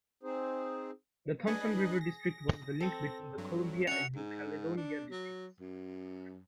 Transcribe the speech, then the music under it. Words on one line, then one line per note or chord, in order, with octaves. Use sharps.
The Thompson River District was the link between the Columbia and New Caledonia Districts.
C4 D#4 G#4 C5
D4 G#4 B4 D#5
A#6
C4 A4
G2 F#3
C#4 D4 F#4 E5 C#7 F7
G#2
D4
F#3
F#2